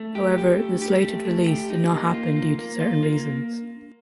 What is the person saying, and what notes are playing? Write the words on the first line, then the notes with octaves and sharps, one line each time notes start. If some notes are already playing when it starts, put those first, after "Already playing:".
However the slated release did not happen due to certain reasons.
Already playing: A3
G4
G4
A3
G4
A3
A3
G4
D#4
A#3
F4
A#3
A#3
F4
A#3